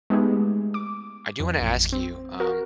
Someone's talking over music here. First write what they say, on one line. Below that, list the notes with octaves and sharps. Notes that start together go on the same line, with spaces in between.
I do wanna ask you, um,
G#3 A3 B3 D#4 G4 G#4
D6
F2
A1
C4
F#4 A#4